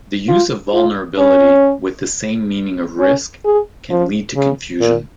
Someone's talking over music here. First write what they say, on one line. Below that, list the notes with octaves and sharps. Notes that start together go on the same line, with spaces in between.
The use of vulnerability with the same meaning of risk can lead to confusion.
F4
F4
C#4
C#4
G#4
F3
C#3
A#2